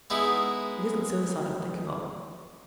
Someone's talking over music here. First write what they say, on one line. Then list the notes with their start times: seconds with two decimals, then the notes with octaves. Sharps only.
It isn't suicide I am thinking of.
0.10 G#3 B3 D#4 E4